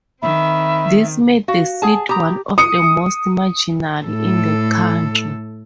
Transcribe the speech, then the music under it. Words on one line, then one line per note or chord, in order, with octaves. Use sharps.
This made the seat one of the most marginal in the country.
D#3 C4 E5 B5
F#4 F5
G#4 F#5 G#5 A5
G4 A#5 B5 D#6
D#6 C#7
A2 A4